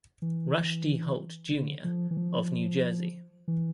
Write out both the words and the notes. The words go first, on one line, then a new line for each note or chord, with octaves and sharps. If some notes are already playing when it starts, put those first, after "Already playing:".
Rush D. Holt, Junior of New Jersey.
E3
D3
F3
E3
F3
E3